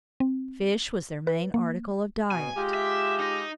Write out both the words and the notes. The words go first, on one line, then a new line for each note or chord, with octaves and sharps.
Fish was their main article of diet.
C4
B4
A#3
B2 G#5
G#3 F4 G4
E5
D#4 D#5